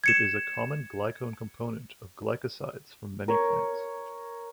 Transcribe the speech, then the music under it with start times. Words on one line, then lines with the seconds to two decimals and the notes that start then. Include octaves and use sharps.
It is a common glycone component of glycosides from many plants.
0.04 G#6 C#7 E7
3.28 A#4 C#5